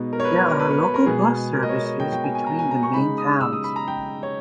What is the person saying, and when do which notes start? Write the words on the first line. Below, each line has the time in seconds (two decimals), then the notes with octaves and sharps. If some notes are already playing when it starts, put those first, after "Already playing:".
There are local bus services between the main towns.
Already playing: B2 G#3 B3 D#4
0.13 A#4
0.20 C#5
0.24 B4
0.48 A#4
0.59 B4
0.71 C#5
0.83 B4
0.94 A#4
1.06 B2 G#3 B3 G#4
1.53 A#4
1.63 D#5
1.69 C#5
1.85 D#5
2.00 G5
2.12 G5
2.23 G#5
2.35 G#5
2.47 A#5
2.59 G#5
2.71 A#5
2.83 C#6
2.94 C#3 G#3 D#4 B5
3.18 D#6
3.41 E6
3.53 D#6
3.64 B5
3.76 A#5
3.88 G5
4.23 C#5